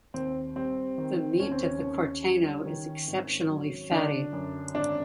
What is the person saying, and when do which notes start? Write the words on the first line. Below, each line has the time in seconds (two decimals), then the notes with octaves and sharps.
The meat of the Corteno is exceptionally fatty.
0.14 D#2 C4
0.56 G3 C4
0.98 D#3
1.39 D#2 C#4
1.51 C4
1.63 C#4
1.82 D#2
2.23 G3
2.66 D#3
3.08 G#1
3.50 F#3
3.91 D3 D4
4.33 F#2
4.75 G#1 D4